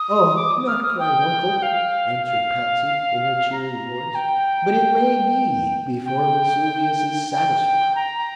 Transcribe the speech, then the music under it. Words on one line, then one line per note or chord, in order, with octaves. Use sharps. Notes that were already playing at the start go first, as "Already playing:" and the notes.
"Oh, not quite, Uncle," answered Patsy, in her cheery voice; "but it may be, before Vesuvius is satisfied."
Already playing: D#6
D6
D#6
F6
D#6
G5
F5
F5
A#5
G5
G5
G5
A#5